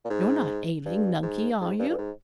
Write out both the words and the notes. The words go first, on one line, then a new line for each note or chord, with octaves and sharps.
You're not ailing, Nunkie, are you?
A#2
G#2
G2
G#2
G#2
G2
G2
G#2